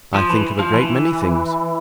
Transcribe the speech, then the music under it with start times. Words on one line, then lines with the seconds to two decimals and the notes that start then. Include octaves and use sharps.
I think of a great many things.
0.14 F3
0.29 E3
0.59 F3
0.73 E3